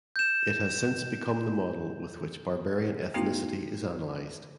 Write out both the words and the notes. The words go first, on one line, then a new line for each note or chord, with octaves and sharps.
It has since become the model with which "barbarian" ethnicity is analyzed.
G6 E7
A3 B3 C#4 D#4 E4 F#4